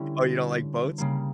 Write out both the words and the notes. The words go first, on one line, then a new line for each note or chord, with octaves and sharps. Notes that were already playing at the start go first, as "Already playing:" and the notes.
Oh, you don't like boats?
Already playing: D3 G3 C#4 E4
C#3 G3 A#3